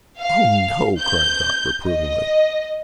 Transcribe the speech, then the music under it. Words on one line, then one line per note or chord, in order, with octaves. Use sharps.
"Oh, no," cried Dot reprovingly.
F5
G6
D#5